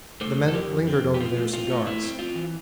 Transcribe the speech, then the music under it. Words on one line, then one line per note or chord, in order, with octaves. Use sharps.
The men lingered over their cigars.
A3 A4 C5
F2
A4
F2 G4 A#4
F2
C4
F2
G4
C4 F4
A3
C4 F4
A3
A3 E4
C4
C4 F4
E3